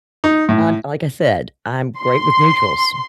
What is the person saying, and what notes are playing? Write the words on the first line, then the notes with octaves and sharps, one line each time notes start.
Um, like I said, I'm great with neutrals
D#4
A2
C6